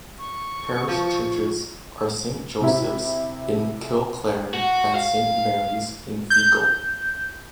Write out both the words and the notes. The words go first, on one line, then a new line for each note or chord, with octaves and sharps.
Parish churches are Saint Joseph's in Kilclaren and Saint Mary's in Feakle.
C#6
F3
C3 E4
F#4
F5
G6